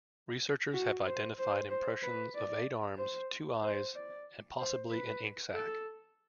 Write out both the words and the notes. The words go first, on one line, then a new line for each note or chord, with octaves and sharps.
Researchers have identified impressions of eight arms, two eyes, and possibly an ink sac.
F#4
C5
C5
C5
B4
D5
C5
C5
D5
C5
B4
A4